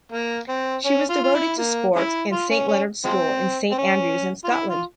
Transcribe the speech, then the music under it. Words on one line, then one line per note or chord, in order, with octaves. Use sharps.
She was devoted to sport and St Leonards School in St Andrews in Scotland.
A#3
C4
C#4
F4
F4
E4
A#3
G#3 C#4 E4
F4
C#4
C#4
F3 G#3 C4
C4
C#4
F4
E4
F4